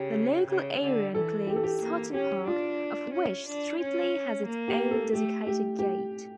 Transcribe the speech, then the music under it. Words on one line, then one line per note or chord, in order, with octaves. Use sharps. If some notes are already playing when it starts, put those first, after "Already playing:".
The local area includes Sutton Park of which Streetly has its own dedicated gate.
Already playing: C#3 G4
C#3
D3
E3 A4
G4
A4
G4
A#3
C#4 G4
D4 F4
C#4
D4
C#4
A#3
G4
A4
A3 G4
G4
G4